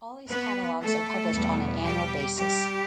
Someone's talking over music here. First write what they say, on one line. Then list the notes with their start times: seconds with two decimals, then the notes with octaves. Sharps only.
All these catalogues are published on an annual basis.
0.29 B3 B4
0.81 A3 A4
1.33 E2 B2 G3 B3
1.85 G3 G4
2.37 G3 G4